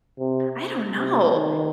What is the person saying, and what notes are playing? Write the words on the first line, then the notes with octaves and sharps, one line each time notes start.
I don't know,
C3
C3
D#3